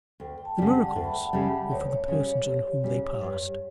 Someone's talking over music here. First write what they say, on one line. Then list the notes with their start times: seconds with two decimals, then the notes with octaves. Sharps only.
The miracles were for the persons on whom they passed.
0.20 D2 G5
0.38 G5
0.45 A5
0.58 C#3 G3 F#5
0.70 G5
0.86 D5
0.95 D2 E5
1.04 B5
1.12 A5
1.19 G5
1.26 F#5
1.32 C#3 G3 E5
1.70 D2 C#5
1.90 C#5
2.08 C#3 G3 C#5
2.27 C#5
2.46 D2 G4
2.83 C#3 G3
3.21 G2